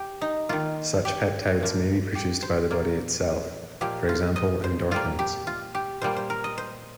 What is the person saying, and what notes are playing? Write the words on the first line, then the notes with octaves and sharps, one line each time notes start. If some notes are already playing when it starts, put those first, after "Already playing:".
Such peptides may be produced by the body itself, for example endorphins.
Already playing: G4
D#4
D#3 A#3 F4
G4
A#2 F3 A#3
G4
C5
A#2 A#3
A#2 F3 A#3 G4
F4
D#5
C5
A#2 G3 A#3 F4
G4
F4
G4
A#2 G3 A#3 C5
C5
A#4
D#5
C5